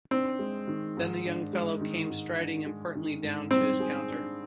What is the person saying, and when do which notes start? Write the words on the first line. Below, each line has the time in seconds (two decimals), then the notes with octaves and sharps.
Then the young fellow came striding importantly down to his counter.
0.11 C4 D4
0.39 G#3
0.67 D#3
0.97 G#2
1.25 D4
1.53 G#3
1.81 D#3
2.10 G#2
2.38 D4
2.66 G#3
2.95 D#3
3.23 G#2
3.51 G3 C4
3.80 G#4
4.08 D4